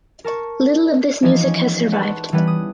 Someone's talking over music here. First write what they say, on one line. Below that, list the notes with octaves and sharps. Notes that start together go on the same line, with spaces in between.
Little of this music has survived.
A#4 A5 C#6
E3 F3 G#3 D4 D#4 G#4
C#4
B4 F#5 A5 C6 C#6
E3 G3 B3 C#4 B4
D#6